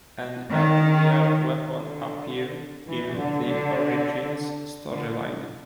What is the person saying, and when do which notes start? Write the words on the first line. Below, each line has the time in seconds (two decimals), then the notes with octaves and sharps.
An earlier weapon appeared in the "Origins" storyline.
0.51 D#3
1.69 D3
2.87 E3
3.16 D3
3.46 D3
4.93 D3